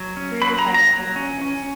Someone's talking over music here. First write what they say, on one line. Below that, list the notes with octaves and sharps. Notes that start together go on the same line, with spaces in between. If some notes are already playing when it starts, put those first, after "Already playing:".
Career title in singles.
Already playing: F#3
C#4
F#3 B5
A#5
A#3
A#5
F#3
C#4
C#4